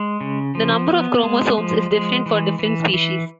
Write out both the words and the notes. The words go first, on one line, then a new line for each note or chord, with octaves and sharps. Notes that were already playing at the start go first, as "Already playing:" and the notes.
The number of chromosomes is different for different species.
Already playing: G#3
C#3
F3
B3
G#3
F3
G#3
E3
E3
E3